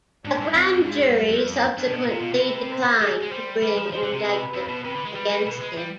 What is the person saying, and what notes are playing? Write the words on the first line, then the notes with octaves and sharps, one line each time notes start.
A grand jury subsequently declined to bring an indictment against him.
G#2 D4
G2
F2 C4
G#2
G2 G#3
G2
F2
G3
F2
G2 D4
C3
B2
C3 F4
B2
C3
B4
C5
D#3 G#4
G#3
G3 C5
G3 B4
F3
F3 C5
D3
C3
B4
F2
B2
C3 B4
D3
G#3
G3 B4
G3
B2
G#3
G3